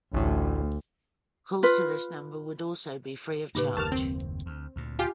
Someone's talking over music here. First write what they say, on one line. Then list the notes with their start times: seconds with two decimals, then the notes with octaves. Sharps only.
Calls to this number would also be free of charge.
0.14 A1 D2 A2
1.63 F4 B4
3.55 A2 C#3 A#3 D#4 G4 B4
3.77 F#1 D#2 G4 A#4 A5 C#6 F6
3.92 C4
4.46 D2
4.76 D2 A#2
4.99 F4 G4 G#5